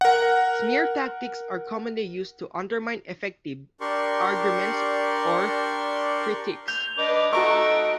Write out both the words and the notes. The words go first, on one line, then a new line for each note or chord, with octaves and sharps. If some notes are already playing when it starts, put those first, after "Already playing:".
Smear tactics are commonly used to undermine effective arguments or critiques.
A#4 F#5
D4 G4 A#4 D5 C6 C#6
G6 F7
D4 B4 D#5 D6
D#4 F#4 A4 D#5 E5 A#5 C#6 D7